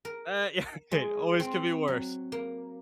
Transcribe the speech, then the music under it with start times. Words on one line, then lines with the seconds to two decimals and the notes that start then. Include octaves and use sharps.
Uh, yeah. Hey, it always could be worse.
0.05 A#4
0.92 G#3
1.40 C4
1.88 F#3
2.32 A#3